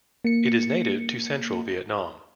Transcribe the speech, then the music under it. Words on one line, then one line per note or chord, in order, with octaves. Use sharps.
It is native to Central Vietnam.
A#3 C#7